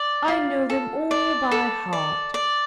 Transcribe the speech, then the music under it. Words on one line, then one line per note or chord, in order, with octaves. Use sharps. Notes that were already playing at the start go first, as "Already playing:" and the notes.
I know them all by heart.
Already playing: D5
F4
A4
D5
A4
D5
D5